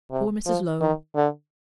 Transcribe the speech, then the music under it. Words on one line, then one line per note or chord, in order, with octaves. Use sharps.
Poor Mrs. Low!
C3
F3
D#3
D3